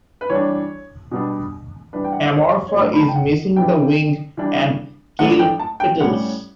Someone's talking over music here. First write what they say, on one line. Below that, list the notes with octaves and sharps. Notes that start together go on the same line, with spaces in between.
"Amorpha" is missing the wing and keel petals.
B4
E3 G3 D4 C#5
B2 G3 B3 D4
E3 G3 D4 B4
G5
F#5
E5
D5
C#5
C#5
A2 F#3 B3 D4 D5
B5
A5
G5
F#5
E3 B3 D4 G5
E3 G3 D4
A2 F#3 A3 D4 F#5
G5
A5
G5
A2 G3 C#4 F#5